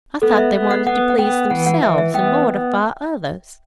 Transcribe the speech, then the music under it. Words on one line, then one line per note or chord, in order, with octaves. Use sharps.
I thought they wanted to please themselves and mortify others.
B3 A4
E5
B3
F#5
B3 F#5
F#5
B3 G5
E3 F#5
F#5
E3 E5
E5
B3 G5